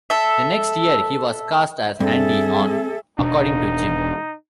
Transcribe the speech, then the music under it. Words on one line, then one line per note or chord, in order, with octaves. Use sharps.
The next year he was cast as "Andy" on "According to Jim".
A4 E5
G2 C4 G#4 A4 E5
E1 B2 D4 D#4